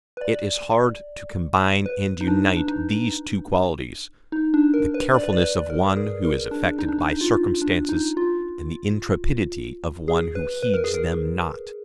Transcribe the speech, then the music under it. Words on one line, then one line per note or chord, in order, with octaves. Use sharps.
It is hard to combine and unite these two qualities, the carefulness of one who is affected by circumstances, and the intrepidity of one who heeds them not.
B4
D5
B4
D#4
D4
D4
D#4
D#4
D4
A#4
B4
D5
B4
D5
B4
A#4
A#4
G#4
A#4
D4
D#4
D4
D#4
F4
D4
D#4
F4
G#4
B4
B4
A#4
G#4
A#4